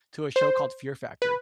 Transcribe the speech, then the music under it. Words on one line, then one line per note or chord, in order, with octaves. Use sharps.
to a show called Fear Factor.
C5
B4